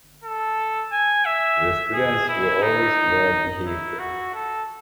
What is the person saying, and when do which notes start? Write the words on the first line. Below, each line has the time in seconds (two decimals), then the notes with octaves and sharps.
The students were always well behaved.
0.24 A4
0.91 G#5
1.25 E5
1.94 G#4
2.29 E4
2.62 D#4
3.65 E4
3.99 F#4
4.34 A4